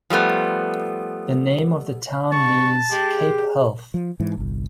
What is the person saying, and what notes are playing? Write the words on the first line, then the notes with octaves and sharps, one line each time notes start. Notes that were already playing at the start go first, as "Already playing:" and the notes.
The name of the town means "Cape Health".
F3 G3 A3 B3
G2 A5 C#6
G#3 G4
F3
G#2 E3
G1 C2